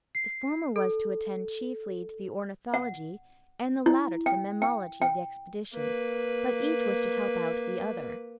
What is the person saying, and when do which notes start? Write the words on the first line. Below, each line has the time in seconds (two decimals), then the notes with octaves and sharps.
The former was to attend chiefly to the ornithology and the latter to the mammalogy of the expedition; but each was to help out the other.
0.15 C7
0.76 A4
2.74 F#5
3.86 E4
4.26 G5
4.62 G5
5.02 G5
5.74 A#3 B4